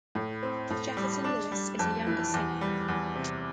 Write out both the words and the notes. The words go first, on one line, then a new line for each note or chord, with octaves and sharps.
Jefferson Lewis is a younger singer.
A2
C4
A2
G3
D4
G3
F2
E3
E2
G3
E2
C3